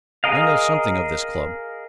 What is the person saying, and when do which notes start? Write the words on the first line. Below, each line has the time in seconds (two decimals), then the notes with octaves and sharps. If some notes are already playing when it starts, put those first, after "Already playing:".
I know something of this club.
0.24 G#4 A#4 D#5 F5